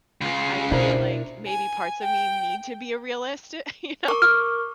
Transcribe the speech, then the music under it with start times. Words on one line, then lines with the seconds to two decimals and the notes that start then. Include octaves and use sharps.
I I feel like maybe parts of me need to be a realist, you know
0.21 C#3 F4
0.71 B2 D4 E4 A#4 C5
1.48 G#5
2.03 G5
4.08 A#4 C#6 D6
4.22 F6